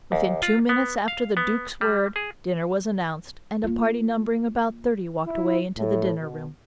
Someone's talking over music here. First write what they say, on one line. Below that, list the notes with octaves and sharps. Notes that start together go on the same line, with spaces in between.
Within two minutes after the Duke's word dinner was announced, and a party numbering about thirty walked away into the dinner-room.
D#2
F4
B3
F5
B3
G3
G#4
A#3 F4
E4
A2
B2